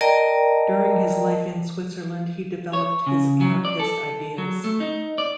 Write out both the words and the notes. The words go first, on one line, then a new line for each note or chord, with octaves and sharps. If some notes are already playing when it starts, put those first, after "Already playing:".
During his life in Switzerland, he developed his anarchist ideas.
A#4 D5 D#5 G5 A5 A#5
C#5
C#3
F#3
D5
A4
F#3
A3
D#4
D5